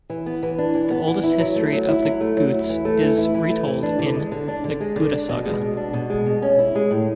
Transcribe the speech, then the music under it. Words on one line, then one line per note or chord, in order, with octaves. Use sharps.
The oldest history of the Gutes is retold in the "Gutasaga".
E3
B3
E3
D4
E3
B3
E3
E4
F#3
A3
F#3
E4
F#3
A3
F#3
E4
E3
A3
E3
E4
E3
A3
E3
D4
D3
G#3
D3
D4
D3
G#3
D3
D4
B2
G#3
B2
D4
B2
G#3
B2
C#4
E4
G#3
A2